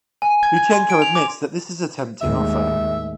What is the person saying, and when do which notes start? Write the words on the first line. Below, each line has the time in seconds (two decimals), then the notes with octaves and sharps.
Luchenko admits that this is a tempting offer.
0.22 G#5
0.43 G#6
0.57 G#6
0.73 C6
0.90 D7
1.02 F7
1.15 D6
2.21 D#2 A2 G#3 E5